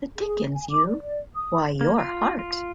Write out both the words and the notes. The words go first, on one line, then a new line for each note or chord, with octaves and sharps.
The dickens you — Why, you're Hart!
G#4
G#5
D6
D5
D#6
A#3
F4
F4